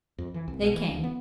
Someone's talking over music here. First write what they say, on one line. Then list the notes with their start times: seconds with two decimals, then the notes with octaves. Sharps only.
They came.
0.18 F2
0.34 E3
0.48 C2
0.62 B2
0.74 E3
0.91 D2
1.04 B3